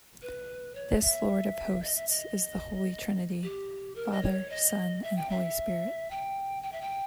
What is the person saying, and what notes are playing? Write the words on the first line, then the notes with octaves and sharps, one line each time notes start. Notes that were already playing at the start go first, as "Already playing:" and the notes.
This Lord of Hosts is the Holy Trinity, Father, Son and Holy Spirit.
B4
C#5
E5
D#5
E5
D#5
G4
A#4
D#5
C#5
D#5
E5
G5
E5
G5
G5
E5
G5